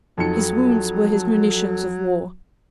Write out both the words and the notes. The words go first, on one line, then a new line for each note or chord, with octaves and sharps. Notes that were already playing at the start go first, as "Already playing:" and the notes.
His wounds were his munitions of war.
F2 F#3 D#4 A4 C#7